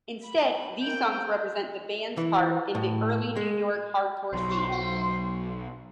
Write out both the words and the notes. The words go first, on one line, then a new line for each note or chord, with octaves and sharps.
Instead, these songs represent the band's part in the early New York hardcore scene.
B5
A#3 C4 G5
E3
A2
G#3
B1 F#3 C5